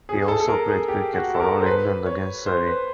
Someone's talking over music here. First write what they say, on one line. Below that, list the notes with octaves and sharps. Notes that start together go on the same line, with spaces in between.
He also played cricket, for All England against Surrey.
G#4
A4
A4
A#4
G#4
G4
F#4
A4
A#4
C5
B4
C#5
C5
B4